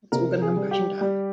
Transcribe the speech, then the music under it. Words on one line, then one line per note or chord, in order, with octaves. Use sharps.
It's all going to come crashing down.
C3 A#4
G#4
G3
G4
G3